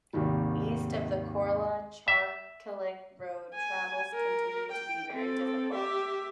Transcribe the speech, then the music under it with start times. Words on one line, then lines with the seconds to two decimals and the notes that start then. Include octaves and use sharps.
East of the Korla-Charkilik road travel continues to be very difficult.
0.13 G#1 D#2 C3 D#3 G3
2.08 E5
3.55 G#5
4.14 A#4
4.72 G5
5.13 C4 A4
5.75 G4 E5